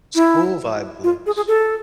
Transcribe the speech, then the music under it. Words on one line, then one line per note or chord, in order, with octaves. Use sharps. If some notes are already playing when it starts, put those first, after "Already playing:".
School-vibe looks?
E4
F4
G#4
G#4
A4